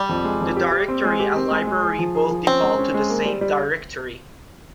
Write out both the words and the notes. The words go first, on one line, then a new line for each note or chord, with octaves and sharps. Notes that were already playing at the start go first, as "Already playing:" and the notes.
The directory and library both default to the same directory.
Already playing: G3
F2
G#3
F2
G4
G4
C4
G#3
G4
C4
G#3
G#3
G#4
F3
G#4
F3
C4 C#4
G#3
C#4
G#3
A#3
G3
G3